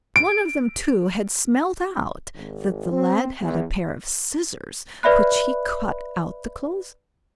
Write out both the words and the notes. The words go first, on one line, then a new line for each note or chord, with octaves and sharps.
One of them, too, had smelt out that the lad had a pair of scissors which he cut out the clothes with.
D7
G#1
C4
E2
B4 D5 E5 B5 F#6